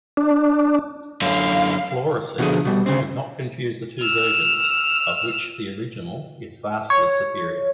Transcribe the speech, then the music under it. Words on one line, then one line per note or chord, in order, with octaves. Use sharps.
Flora-seekers should not confuse the two versions, of which the original is vastly superior.
D4
F#2 D3 F5
B2 D3 F3 G#4
B2 G3
D2 C#3 C4
E6 F6
C#5